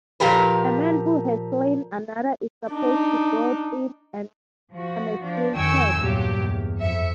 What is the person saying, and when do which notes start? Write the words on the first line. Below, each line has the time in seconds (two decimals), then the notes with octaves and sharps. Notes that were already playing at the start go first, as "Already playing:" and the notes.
A man who has slain another is supposed to grow thin and emaciated.
0.20 A#2 F3 G4 A#4 B4
2.71 D4 D#4
4.72 F3 F#4
5.21 F3 D4
5.55 F2 D#3 G5 G#5 C#6 E6
5.97 E2 G2 A#2 F#3 G4
6.40 E2
6.78 F2 E5 C#7